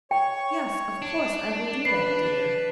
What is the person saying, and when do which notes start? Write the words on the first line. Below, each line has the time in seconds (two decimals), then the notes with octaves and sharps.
'Yes, of course; I will do that, dear.
0.11 C#5 G5 C#6
1.02 D4
1.85 B4 C7